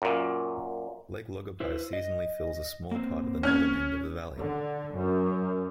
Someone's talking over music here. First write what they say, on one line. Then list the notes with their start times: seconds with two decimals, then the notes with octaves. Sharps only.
Lake Logipi seasonally fills a small part of the northern end of the valley.
0.02 F#2 A#2
1.60 E4 B4 C5
1.93 D#5
2.91 A#3 C4
3.43 C#4 F6 G#6
4.37 D3
4.95 F#2